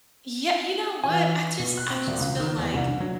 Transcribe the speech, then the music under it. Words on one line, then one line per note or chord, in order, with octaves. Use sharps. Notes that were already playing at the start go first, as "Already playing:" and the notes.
Yeah you know what, I just I just feel like,
E3 G#5
B2
F#6
C4
E1
C#2
D#3
E2
C2
D3
F#3